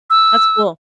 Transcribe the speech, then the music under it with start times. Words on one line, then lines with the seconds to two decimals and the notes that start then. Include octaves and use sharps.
That's cool.
0.10 E6